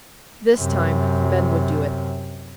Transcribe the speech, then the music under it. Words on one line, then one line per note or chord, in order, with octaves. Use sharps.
This time, men would do it.
F#2 C3